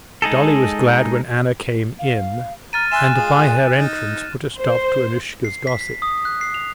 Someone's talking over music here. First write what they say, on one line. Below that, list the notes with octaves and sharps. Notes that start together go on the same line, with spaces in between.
Dolly was glad when Anna came in, and by her entrance put a stop to Annushka's gossip.
G#3 D#4 G#4 A4
F5
A#5 F6 A6 D#7
E5 G#5 C6 F#6 E7
G#3 F4 G#4
D#4
C5
C7
B6
B6
D#6
F#6
C7
F7